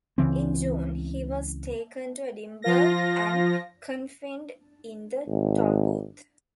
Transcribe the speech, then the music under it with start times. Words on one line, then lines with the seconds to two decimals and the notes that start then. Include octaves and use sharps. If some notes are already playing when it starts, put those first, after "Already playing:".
In June he was taken to Edinburgh and confined in the Tolbooth.
0.18 C#2 C#3 E3 C4
2.62 F3 F4 A#6
5.28 G#1